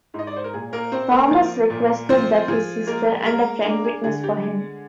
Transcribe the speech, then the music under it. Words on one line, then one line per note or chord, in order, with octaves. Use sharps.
Thomas requested that his sister and a friend witness for him.
G#2 D#5
D5
C5
A#4
A#2 G#4
A#3 A#4
C4 C5
A#3 A#4
F3
A#2
F3 C4 C5
F3 G#4
G#3 A#3 A#4
G#3 A#3 A#4
A#3 D4 A#4
G#4
D3 G#4
G4
G#3 G#4